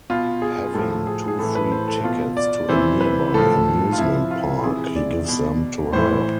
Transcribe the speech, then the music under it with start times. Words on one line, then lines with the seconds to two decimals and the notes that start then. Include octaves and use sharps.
Having two free tickets to a nearby amusement park, he gives them to her.
0.10 B2 F4
0.42 G#4
0.74 A2 F3 A4
1.07 G#4
1.28 G#4
1.39 A2 E3 A4
1.55 B4
1.72 C5
1.88 A4
2.04 B2 F4
2.37 D5
2.69 C3 E3 C5
3.01 B4
3.34 A2 F3 A4
3.93 F4
3.98 C3 F3 E4
4.31 F4
4.63 C3 E3 G#4
4.96 D5
5.28 B2
5.93 A2 E3 C5